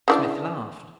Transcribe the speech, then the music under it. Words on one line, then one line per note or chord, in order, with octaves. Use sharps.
Smith laughed.
C#3 E3 D4